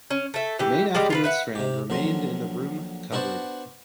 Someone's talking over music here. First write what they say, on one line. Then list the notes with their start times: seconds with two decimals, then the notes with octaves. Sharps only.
The main afternoon strand remained in the Broom Cupboard.
0.11 C#4
0.34 A3 E5
0.59 E3 G4
0.95 G3 G#3 G4
1.10 F4 A4 B4
1.24 B4 E5 F#5
1.55 C3 G4
1.90 A#1 D3 F#3 C6
3.12 B3 D4 F#4 C5 A5